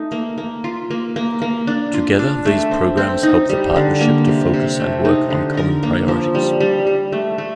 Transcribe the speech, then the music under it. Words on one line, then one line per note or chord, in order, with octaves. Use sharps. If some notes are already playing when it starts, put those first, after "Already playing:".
Together these programmes help the partnership to focus and work on common priorities.
Already playing: A3 D#4
A#3
A#3
F4
A#3
A#3
A#3
D4
F4
D4
A3
C4
C4
D#4
G3
D3
A#3
C3
C3
A3
D#4
D3
A#4
A#3
F3
G3
G3
G3
A3
A3